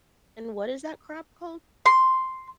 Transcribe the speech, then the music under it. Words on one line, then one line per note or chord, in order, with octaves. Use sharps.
And what is that crop called?
C6